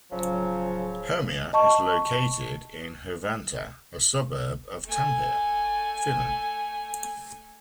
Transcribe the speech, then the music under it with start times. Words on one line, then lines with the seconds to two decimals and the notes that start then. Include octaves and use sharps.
Hermia is located in Hervanta, a suburb of Tampere, Finland.
0.11 D1 C#3 F3 F#3
1.53 D#5 A5 C#6
4.85 A3 G#5